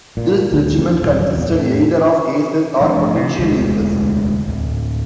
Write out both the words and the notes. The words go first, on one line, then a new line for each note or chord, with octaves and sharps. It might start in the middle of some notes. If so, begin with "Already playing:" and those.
This regiment consisted either of aces or potential aces.
A#2
D2
F2
D#1
F#2
E2
A2
F3 A3 C4 D4
C3
E1 D2 G#3
D1